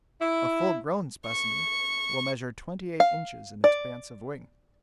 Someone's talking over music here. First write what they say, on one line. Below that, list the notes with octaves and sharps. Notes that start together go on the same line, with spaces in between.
A full-grown specimen will measure twenty-eight inches in expanse of wing.
E4
C#6
F5
D5